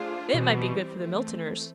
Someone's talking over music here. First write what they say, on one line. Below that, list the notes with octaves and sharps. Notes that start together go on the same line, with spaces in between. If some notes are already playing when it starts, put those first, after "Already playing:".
'It might be good for the Miltoners.
Already playing: A3 D4 F4 G#4 C5
B2 E3 G3 C4
E3 A3 C4